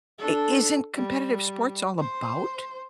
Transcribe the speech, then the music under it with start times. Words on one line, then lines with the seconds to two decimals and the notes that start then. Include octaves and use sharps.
I Isn't competitive sports all about
0.18 D4 A4
0.96 G3
2.00 C5